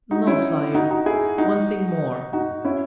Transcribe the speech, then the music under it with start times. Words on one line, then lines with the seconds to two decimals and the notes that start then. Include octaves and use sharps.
"No, sire, one thing more."
0.11 D#4 F#4
0.27 C#4 E4
0.75 D#4 F#4
0.90 D#4 F#4
1.06 E4 G#4
1.38 D#4 F#4
2.33 D#4 F#4
2.65 C#4 E4